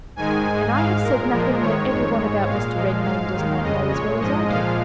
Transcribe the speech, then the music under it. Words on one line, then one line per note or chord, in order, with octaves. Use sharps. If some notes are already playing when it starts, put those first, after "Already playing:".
"And I have said nothing that every one about Mr. Redmain does not know as well as I do."
G#2 D#3 G#3 G#5
G#2 G#3 G#5
G#2 G#3 F5
A#2 G#3 A#4
A#2 F3 G#3
G#2 D#3 G#3 C#5
F2 D#3 G#3 C#5
G#2 G#3
A#2 G#3 F5
A#2 F3 G#3
G#2 G#3 F5
D#2 D#3 G#3
F2 C#3 G#3 D#5
A#2 G#3 C#5
G#2 F3 G#3 D#5
A#2 F3 G#3 F5